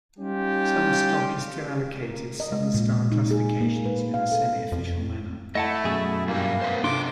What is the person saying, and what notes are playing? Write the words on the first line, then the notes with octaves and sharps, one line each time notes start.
Some stock is still allocated Southern-style classifications in a semi-official manner.
G3 C#4 D#4 F4 G4
A#4
D#5
G#3
A#2
D#4
G#4
A#3
B4
F5
A4
F2
A3 E4 D#5 F#5 A5
F#2 B2 G#4
G2 G3 A#3
B3 B4 C5
C3 D4 F4 A4 C6 D6